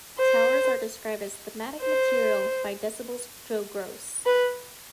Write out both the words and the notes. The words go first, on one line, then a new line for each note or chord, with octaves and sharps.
Towers are described as 'thematic' material by "Decibel"'s Joe Gross.
C5
C5
B4